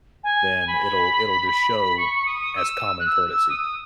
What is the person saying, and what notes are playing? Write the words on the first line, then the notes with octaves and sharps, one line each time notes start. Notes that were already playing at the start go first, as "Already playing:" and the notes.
then it'll it'll just show as common courtesy,
G#5
B5
C#6
C#6
D#6
E6
F#6
E6
E6
D#6